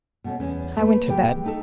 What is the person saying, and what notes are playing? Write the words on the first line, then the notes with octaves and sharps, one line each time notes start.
I went to bed.
B2 A3 C#4
E2 C#4
A3 A#3 B4
D#2 C3 G#3 G4 G5
A3 D#4 A4